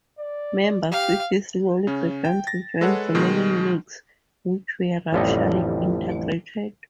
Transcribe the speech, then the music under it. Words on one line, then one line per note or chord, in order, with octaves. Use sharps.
Member cities slowly began to join remaining leagues, which were racially integrated.
D5
G4 F5
C#3 C#4
G5
A6 A#6
G#3 A4 B4 C#5 F#5
B2 D#3 G#3
A1 F2 D3 G3 A4 D#5